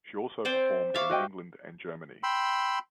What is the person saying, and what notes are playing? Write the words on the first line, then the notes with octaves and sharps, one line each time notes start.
She also performed in England and Germany.
C4 C5 D5
E5 F5 C#6 D6 A6
F#4 D#5 G5
G5 B5 C6 E6